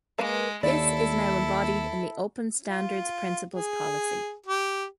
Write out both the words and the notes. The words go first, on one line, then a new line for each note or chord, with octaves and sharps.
This is now embodied in the Open Standards principles policy.
G#3 A#3 B4 F5
D#2 E4 A4 D5
F4
G#4
G4